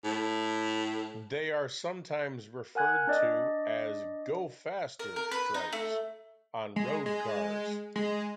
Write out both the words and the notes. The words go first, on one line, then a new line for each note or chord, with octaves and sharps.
They are sometimes referred to as "go-faster stripes" on road cars.
A2
A#4 F#5 G#5 F#6 G#6
D4 D5 D#5
A#4
A#4
B4
D#4
A3
G#3
G#3
G#3